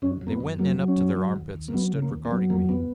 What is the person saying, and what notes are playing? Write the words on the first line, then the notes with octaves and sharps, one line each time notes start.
They went in up to their armpits and stood regarding me.
F#2 C#4
F#2
A#3
B3
F#2
F#3 A#3
F#3
C#4
F#2
F#3
D#2
D#2
A#3
F#3 B3
C#3
A#3
D#2
A#3
F#3 B3
F2 A#3
F2 B3